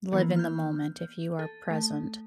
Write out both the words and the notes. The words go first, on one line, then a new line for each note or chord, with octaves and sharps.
live in the moment, if you are present,
E3 A#3 B3
F6 G6
A4
A3